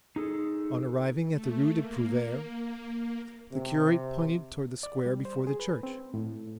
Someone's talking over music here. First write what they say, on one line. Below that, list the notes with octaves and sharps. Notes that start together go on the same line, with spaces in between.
On arriving at the Rue des Prouvaires, the curate pointed toward the square before the church.
D#4 G#4 A4
A3
A#3
C3
D5
G3
C5
G#4
B4
C4
A2